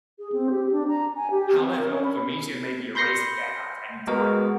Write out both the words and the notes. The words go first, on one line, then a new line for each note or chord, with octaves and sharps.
However, the media may be erased again at any time.
G#4
C4
G4
D4
A#5
G#5
G4
C4
A#4
C#4
B5
B5 C6 G6 A#6 C7 C#7
G#3 B3 F#4 A#4